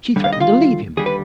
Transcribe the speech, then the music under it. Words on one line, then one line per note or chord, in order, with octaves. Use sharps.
She threatened to leave him.
D#2 D3 G3
F5
D#5
F4 F5
D#2 D3 G3 G#4
B4